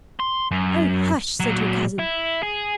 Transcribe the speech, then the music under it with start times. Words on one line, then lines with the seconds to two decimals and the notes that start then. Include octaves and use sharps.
"Oh, hush!" said her cousin.
0.20 C6
0.51 F#2
1.40 A#2 F#3
1.99 E4
2.43 G#4